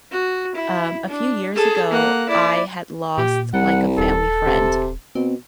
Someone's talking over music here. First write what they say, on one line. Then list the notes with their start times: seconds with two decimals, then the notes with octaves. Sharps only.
Um, a few years ago, I had lost, like, a family friend,
0.12 F#4
0.55 E4
1.08 D4
1.53 G#4 A4
1.90 A#3 F#5
2.29 E4 D5
3.18 A#2 G4
3.54 C2 G3 F#5
3.98 D#1 A4
4.46 C3
5.15 B2 C4